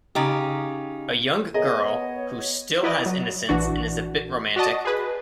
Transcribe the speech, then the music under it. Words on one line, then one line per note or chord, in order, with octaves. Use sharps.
A young girl who still has innocence and is a bit romantic.
C#3 D#4 G4
B3 G#4 A#4 C#5 D#5
E4 B4 D5 D#5
F#3
A#1 E3 D4 F#4
F#4 D5 D#5 A5
G#4 B4